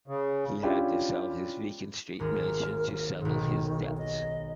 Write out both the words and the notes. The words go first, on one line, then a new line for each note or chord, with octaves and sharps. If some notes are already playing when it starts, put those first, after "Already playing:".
He had to sell his Beacon Street mansion to settle his debts.
C#3
C#4 D4 E4 F4 G4
G#1 D#2 G#4 A#4
B1 G#2 D#3
D#5